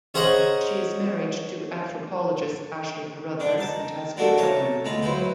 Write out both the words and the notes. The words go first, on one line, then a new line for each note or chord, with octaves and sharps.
She is married to anthropologist Ashley Carruthers and has two children.
C#4 G#4 C5 D#5 F#5 A#5
D3 D4 D#4
D#4 A5
A#3 D4 D#4 F#4 A4 A#4
C#5 E5 A5 A#5
D2 G#3 F4 A#5 B5
F#3 E4 B4 C5